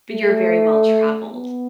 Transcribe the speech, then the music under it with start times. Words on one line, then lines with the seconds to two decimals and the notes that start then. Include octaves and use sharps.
you're very well traveled.
0.12 A3
1.33 B3